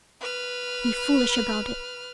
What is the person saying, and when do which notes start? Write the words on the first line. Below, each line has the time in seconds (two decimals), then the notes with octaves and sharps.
Be foolish about it.
0.20 B4 F6